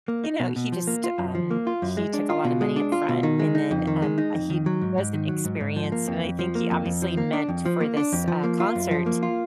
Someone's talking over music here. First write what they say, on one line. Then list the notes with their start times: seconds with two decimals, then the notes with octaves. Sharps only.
you know, he just, um, he took a lotta money up front, and, then, um, uh, he wasn't experienced. And I think he obviously meant for this, uh, concert
0.08 A#3
0.24 D#4
0.40 B2
0.56 B2
0.72 F3
0.87 A#3
1.04 F4
1.18 F#2
1.35 F3
1.51 A#3
1.67 F4
1.82 F#2
1.97 G#3
2.14 D4
2.30 F4
2.44 B2
2.61 G#3
2.76 D4
2.92 F4
3.09 B2
3.23 D#3
3.39 G#3
3.55 D#4
3.71 F2
3.87 D#3
4.02 G#3
4.18 D#4
4.34 F2
4.50 D#3
4.66 F#3
4.81 G#2
4.98 G#2
5.13 D#3
5.28 F#3
5.45 G#2
5.60 G#2
5.76 F3
5.92 A#3
6.08 F2
6.24 F2
6.39 F3
6.55 A#3
6.71 F2
6.86 F2
7.02 F3
7.17 A#3
7.33 D4
7.49 F2
7.66 F3
7.80 A#3
7.97 D4
8.13 F2
8.28 F3
8.44 A#3
8.60 F4
8.75 F#2
8.91 F3
9.06 A#3
9.23 F4